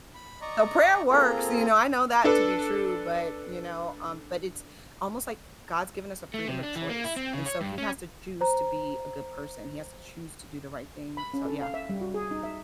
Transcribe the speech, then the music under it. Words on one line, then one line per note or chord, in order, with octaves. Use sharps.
So prayer works, you know, I know that to be true, but you know, um, but it's almost like God's given us a freedom of choice, and so he has to choose to be a good person, he has to choose to do the right thing, so, yeah.
B5
D5 D#5 A#5 C#6
A#3 C4 F4 G#4 A4 A#5
D4 A4 B4
A3
C3
D4
E3
A#3
E4
C4
C#3
C#5
G2
C#4
C5 A#5
B5
C#4
A4
F5
E5
G3
F#4
G#4
D#4
E5